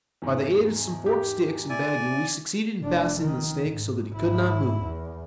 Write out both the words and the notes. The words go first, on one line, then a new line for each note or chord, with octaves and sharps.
By the aid of some forked sticks and bagging we succeeded in fastening the snake so that he could not move.
E2 G#2
G4
E4 D5 G#5
F1 D4
D#3
G#2
G#1 E4
E2